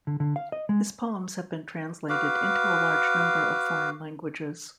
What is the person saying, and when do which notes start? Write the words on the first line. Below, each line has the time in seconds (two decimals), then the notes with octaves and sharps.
His poems have been translated into a large number of foreign languages.
0.07 D3
0.20 D3
0.36 F5
0.52 D#5
0.69 G#3
2.09 F#4 B4 F5 D6